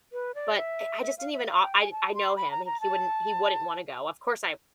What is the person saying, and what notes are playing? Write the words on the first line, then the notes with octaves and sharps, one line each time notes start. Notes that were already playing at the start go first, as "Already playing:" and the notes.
But I I just didn't even o I I know him, he c he wouldn't he wouldn't wanna go. Of course, I
B4
D5
E5
E5
F5
E5
F5
G5
G#5
A5
C6
B5
A#5
A#5
A5